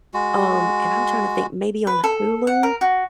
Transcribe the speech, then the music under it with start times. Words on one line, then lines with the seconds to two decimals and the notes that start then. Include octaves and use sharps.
um, and I'm trying to think, maybe on Hulu?
0.14 G#3 F#4
1.87 B4
2.04 A4
2.47 F#5
2.63 A#4
2.81 F#4